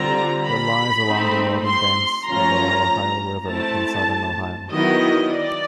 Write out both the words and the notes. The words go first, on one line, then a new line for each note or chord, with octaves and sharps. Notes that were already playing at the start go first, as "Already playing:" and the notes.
It lies along the northern banks of the Ohio River in southern Ohio.
Already playing: D3 G3 C4 F4 A#5
B5
A3 C4 D#4
C6
F3 A3 C#4 F4 A#5
A3 C4 E4 A5
D#3 F#3 B3 E4 D#5
D5